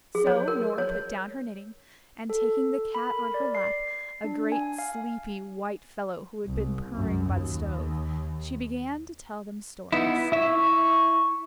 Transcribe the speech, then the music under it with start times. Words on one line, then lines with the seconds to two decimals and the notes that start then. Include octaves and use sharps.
So Nora put down her knitting, and taking the cat on her lap, a great sleepy white fellow who had been purring by the stove, she began to tell them stories.
0.15 G#4
0.27 C#5
0.48 A#4
0.78 C#5
2.30 A4
2.95 B5
3.07 A#4
3.34 D5
3.55 C7
4.24 D4
4.52 G#5
4.79 F5
6.45 C2
6.94 F#2
7.32 D#2
9.92 B3 D#4 E4
10.32 E4 E5 C#6